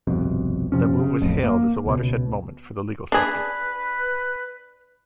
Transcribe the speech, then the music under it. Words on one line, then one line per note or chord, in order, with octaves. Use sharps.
The move was hailed as a 'watershed moment' for the legal sector.
G1 C2 F2 B2
F#2 C3 F3 C#4
C#3
A1 F2 A2
A#3
C#2 B2
D4 G#4 B4